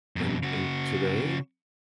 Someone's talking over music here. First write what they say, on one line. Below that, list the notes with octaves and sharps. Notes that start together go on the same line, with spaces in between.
and and today,
F2 B2
C#3 F#4